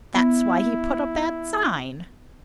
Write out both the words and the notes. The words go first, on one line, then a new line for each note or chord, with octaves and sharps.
That's why he put up that sign.
B3 E4